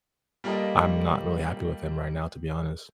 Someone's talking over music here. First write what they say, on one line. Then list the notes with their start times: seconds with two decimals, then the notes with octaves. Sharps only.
I'm not really happy with him right now, to be honest.
0.44 G3 A#3 F4 G4 A4 D#5